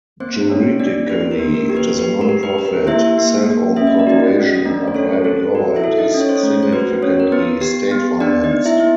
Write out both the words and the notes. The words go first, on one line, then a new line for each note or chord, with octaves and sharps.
Juridically it is a nonprofit self-owned corporation under private law and is significantly state-financed.
A#3 C4 C5
A#3 C#4 C#5
D4 D#4 D5
G4 B4
A#4
A#3
A#4
G4
B4
G4 B4
A#4
G4
B4
G4
A#4
A#3 E4 E5
A#3
A#3
C#4 E5
D#5
D5
D#4 F#4 D#5
C#4
D#5
A3 D4 D5
C5
C#4 A4 C#5
C4 A4 C5
F#4 A#4
E4 E5
A4
D#4 D#5
C#4
C#5
C5
C#4 C#5
A3
C5
F#4 B4
C#4 C#5
A#4
B3 B4
G4
B3
B3 D4 D5
D#4 D#5
B3
E4 E5
B3